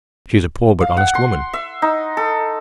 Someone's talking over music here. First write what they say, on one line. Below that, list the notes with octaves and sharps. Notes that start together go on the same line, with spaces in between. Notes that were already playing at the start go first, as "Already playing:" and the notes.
She is a poor but honest woman.
F5
F#5
C6
E5
D#4
A4